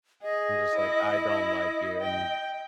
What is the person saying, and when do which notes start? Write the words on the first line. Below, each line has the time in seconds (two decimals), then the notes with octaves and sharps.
I'm just like, "I don't like you, and"
0.23 G#4 D#5
0.76 E4
2.01 G5